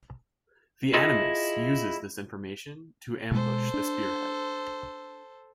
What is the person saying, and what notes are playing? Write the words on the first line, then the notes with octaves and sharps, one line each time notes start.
The Animus uses this information to ambush the spearhead.
E4 F4 G#4 A4 D#5 E5
B2 G#3 A4 C5
D4